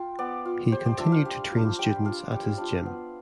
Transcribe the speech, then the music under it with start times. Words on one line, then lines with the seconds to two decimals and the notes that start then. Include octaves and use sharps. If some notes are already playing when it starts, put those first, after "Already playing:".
He continued to train students at his gym.
Already playing: F4 G5
0.19 B3 D5
0.45 F4
0.72 G3 C5
0.86 D5
0.98 D4 F4 E5
1.12 F5
1.25 G3
1.52 D4 F4
1.79 G3 G5
2.05 D4 F4 F5
2.32 G3
2.58 D4 F4
2.86 B3